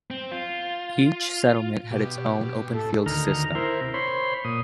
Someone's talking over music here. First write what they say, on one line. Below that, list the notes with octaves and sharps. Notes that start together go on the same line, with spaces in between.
Each settlement had its own open field system.
C4
F4
B2 G4
A2 A4
D2 D#3 A#5 F6
E4 A#4 C5
C3
C5 C#5 B5 C6
A#2 D#6